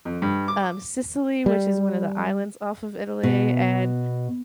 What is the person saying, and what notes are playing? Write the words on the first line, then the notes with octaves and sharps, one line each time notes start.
um, Sicily, which is one of the islands off of Italy. And,
F2
G2
D6
G3
B2